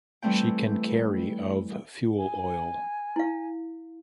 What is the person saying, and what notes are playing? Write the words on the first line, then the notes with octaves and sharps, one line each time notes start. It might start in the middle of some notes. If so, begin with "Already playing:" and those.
She can carry of fuel oil.
E3 G3 A3 C4 G5
G#5
E4 F5